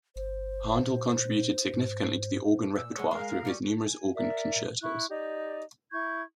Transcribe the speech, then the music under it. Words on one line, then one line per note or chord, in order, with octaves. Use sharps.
Handel contributed significantly to the organ repertoire through his numerous organ concertos.
G1 C5
A#2
G#2
A#2 E6
F#3 G#3 C#5
G#3 A#4 F5
G3 C#4
G#5
A#4 D5 E5
E4 C#6 F#6
D#4 G4 D5
E4 C#6 G6 G#6